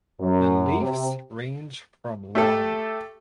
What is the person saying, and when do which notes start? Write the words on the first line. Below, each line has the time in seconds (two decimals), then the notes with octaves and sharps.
The leaves range from long.
0.21 F#2
0.81 C3
2.35 A3 G4 A4